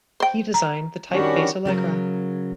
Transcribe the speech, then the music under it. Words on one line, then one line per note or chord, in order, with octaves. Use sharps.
He designed the typeface Allegra.
C5 G5
A#5
D#3 G3 C#4 D4 F#4 G4
C#3 F#3 A#4